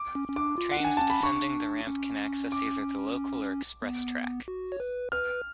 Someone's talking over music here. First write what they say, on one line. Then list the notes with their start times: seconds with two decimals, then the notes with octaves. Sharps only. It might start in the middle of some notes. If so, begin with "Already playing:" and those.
Trains descending the ramp can access either the local or express track.
Already playing: D6
0.15 C#4
0.29 C#4
0.36 D4 D6
0.58 F4
0.71 F#5
0.80 D4 G#5
0.97 C#4 A5
1.10 B5
1.23 D4 C#6
1.87 C#4
2.52 D6
3.82 B3
4.48 F#4
4.72 C#5
4.80 B4
5.12 B4 F6